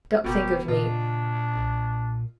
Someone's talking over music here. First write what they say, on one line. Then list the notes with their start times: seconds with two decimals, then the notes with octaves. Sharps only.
Don't think of me.
0.24 F#1 B2 A#3 G4
0.68 A#2 C#3 D4 F4 D#5
1.56 B1